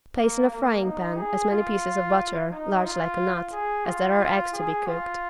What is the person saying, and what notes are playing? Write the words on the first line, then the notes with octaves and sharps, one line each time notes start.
Place in a frying pan as many pieces of butter, large like a nut, as there are eggs to be cooked.
A#3
A#3
D#4
G#4
F4
D#4
F4
G#4
F4
F4
G#4
F4